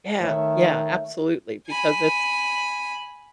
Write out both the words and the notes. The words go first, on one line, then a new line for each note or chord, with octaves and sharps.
Yeah yeah, absolutely, because it's
D#3 A3 C#5 E5
G#5 B5